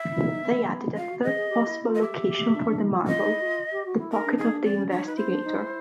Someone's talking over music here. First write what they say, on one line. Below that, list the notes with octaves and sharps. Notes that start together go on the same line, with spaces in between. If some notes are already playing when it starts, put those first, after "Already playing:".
They added a third possible location for the marble: the pocket of the investigator.
Already playing: E5
E4
D#4
B3
F4 F5
F#4
G#4 D#5
G#4
G4
E4
F4
D#5
G4 E5
G4
D4
D4
D#4
F4
E4
F4 D#5
D#4
E4
F#4
F4
G4
F#4
E4
D#4 A#4
D4
D#4 G#4
D4
C4 D5
C#4
D4 C#5
D#4 B4
E4 C5
D4
D#4
E4